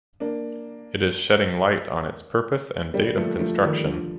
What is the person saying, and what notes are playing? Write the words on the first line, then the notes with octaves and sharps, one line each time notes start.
It is shedding light on its purpose and date of construction.
A#3 D4
G3 A#3
F3 A3
F3 A3
D#3 G3
D3 F3